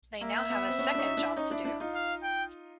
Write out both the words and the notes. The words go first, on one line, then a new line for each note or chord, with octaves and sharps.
They now have a second job to do.
A#3 E5
B3
C4
B3 C#4
D4
C#4 D#4
D4 E4
C#4 D#4
D4 E4
D4 E4
D#4 F4
F5
G5